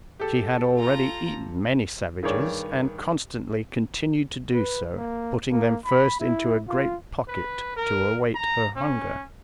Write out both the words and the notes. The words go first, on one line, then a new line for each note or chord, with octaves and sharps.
She had already eaten many savages and constantly continued to do so, putting them first into a great pocket to await her hunger.
G4 A4
F4 A#5
G2 D#3 G#4 C#5 D5
B4
A#3
A#3
B5
E4
F4
B4
A#4
A#5
C#4